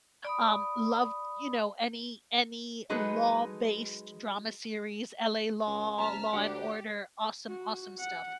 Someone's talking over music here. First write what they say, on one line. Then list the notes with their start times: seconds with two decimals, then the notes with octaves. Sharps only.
um, love, you know, any any law-based drama series, LA Law, Law& Order, awesome, awesome stuff,
0.25 D5 B5 D#6
2.90 F#3 G#3 D#4 G#4 A4 B4
5.67 C#2
5.98 F#1 A5 A#5 F6 B6
6.33 D2 D4 G4 F#5
7.48 F#4
7.99 F#5